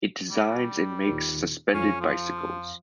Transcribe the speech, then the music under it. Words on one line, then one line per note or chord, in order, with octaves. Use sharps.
It designs and makes suspended bicycles.
G3
D#2 A#2
F2 C#4 F5
F3